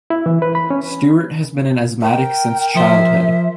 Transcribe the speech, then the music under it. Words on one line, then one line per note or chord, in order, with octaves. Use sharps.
Stewart has been an asthmatic since childhood.
E4
E3
B4
B5
C#4
A#4 G5
F3 C5 E5